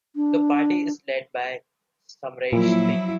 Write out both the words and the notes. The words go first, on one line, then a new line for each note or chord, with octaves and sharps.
The party is led by Samresh Singh.
D4
A#2 F3 F#3 E4